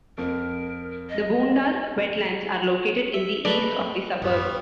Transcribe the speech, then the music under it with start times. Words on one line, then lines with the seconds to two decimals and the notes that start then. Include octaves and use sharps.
The Boondall Wetlands are located in the east of the suburb.
0.18 F2 A#4
1.09 D#5
3.14 E5
3.45 F#3 G3 G#4 A4 B4 D5 D#5
4.22 A1 F#2 G3 B3 C#5